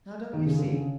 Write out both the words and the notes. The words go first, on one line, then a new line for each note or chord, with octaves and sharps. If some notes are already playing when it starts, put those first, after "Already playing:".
'Now, don't you see!
D#3
C#3
D3
C#3